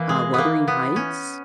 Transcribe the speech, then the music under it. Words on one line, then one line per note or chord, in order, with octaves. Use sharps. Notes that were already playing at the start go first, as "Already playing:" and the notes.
uh, Wuthering Heights.
Already playing: E3 A#3
G#3
A#3 B3
B3
C#4